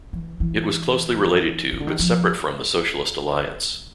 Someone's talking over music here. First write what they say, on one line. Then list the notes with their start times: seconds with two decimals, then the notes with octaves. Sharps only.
It was closely related to, but separate from the Socialist Alliance.
0.13 E3
0.40 E3
1.73 D#3
1.80 D3
1.87 D#3
1.99 F3